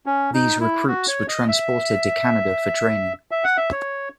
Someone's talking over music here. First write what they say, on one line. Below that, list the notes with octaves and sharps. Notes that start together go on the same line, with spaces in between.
These recruits were transported to Canada for training.
C#4
D#4
E4
F#4
C#5
D#5
E5
E5
F#5
E5
C#5